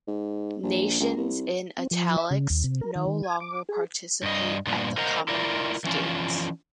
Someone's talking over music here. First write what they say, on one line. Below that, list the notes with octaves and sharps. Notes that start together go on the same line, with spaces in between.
Nations in "italics" no longer participate at the Commonwealth Games.
G#2
A#1
C#2
C2
C4
F3
E5
C#3
D#2
C3
A#4
D#3
D#3
G#5
D6
G#4
G2 D#5
G2 A#2 B3
A#4 C5 D#5 F5 F#5 A#5
E4 F4 A#4 D5
E3 F3 C#4 D4 F4